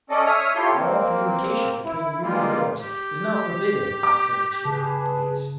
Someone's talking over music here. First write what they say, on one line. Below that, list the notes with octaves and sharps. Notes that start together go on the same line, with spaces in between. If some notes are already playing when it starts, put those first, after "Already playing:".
"All communication between you and yours is now forbidden," said the chief of the police.
C#4 A4 D5 D#5
C#5 E5 D#6 F6
E4 F4 G4 A4 C#5 C6
A#3 C4
E4
G3 G#3 A#3 F4
G4
D6
C#3 G#4 B4 A5